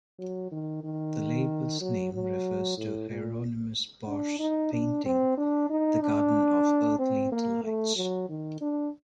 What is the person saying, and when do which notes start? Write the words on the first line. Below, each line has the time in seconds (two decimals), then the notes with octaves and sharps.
The label's name refers to Hieronymous Bosch's painting The Garden of Earthly Delights.
0.19 F#3
0.51 D#3
0.84 D#3
1.81 F#3
2.13 F#3
2.78 A2
3.10 A#2
4.07 D4
4.39 D#4
4.73 D4
5.05 C4
5.37 D4
5.70 D#4
6.02 D4
6.98 C4
7.32 A#3
7.63 A3
7.96 F#3
8.29 D#3
8.61 D4